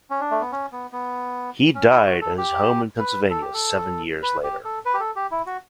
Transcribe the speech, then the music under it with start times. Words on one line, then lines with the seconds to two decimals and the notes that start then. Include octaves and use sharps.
He died at his home in Pennsylvania seven years later.
0.10 C#4
0.21 D4
0.31 A3
0.41 B3
0.52 C#4
0.72 B3
0.92 B3
1.75 C#4
1.91 E4
2.07 F#4
2.22 A4
2.38 G4
2.99 B4
3.30 A4
3.42 G4
3.54 A4
4.23 B4
4.43 G4
4.65 A4
4.85 B4
4.94 G4
5.00 A4
5.16 G4
5.31 E4
5.46 F#4